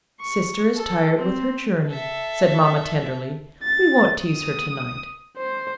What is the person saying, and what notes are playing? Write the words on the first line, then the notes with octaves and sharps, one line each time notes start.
"Sister is tired with her journey," said mamma tenderly; "we won't tease her to-night."
C#6
A4
C4
A4 E5
A6
D#6
C5